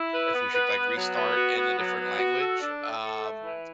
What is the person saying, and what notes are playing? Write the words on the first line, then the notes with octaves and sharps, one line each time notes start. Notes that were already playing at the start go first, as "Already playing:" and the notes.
if we should, like, restart in a different language. Um,
Already playing: E4
B4
B3
B4
B3
F#3
B3
F#4
B3
F#3
B3
F#4
A4
D4
A4
A4
A3
E3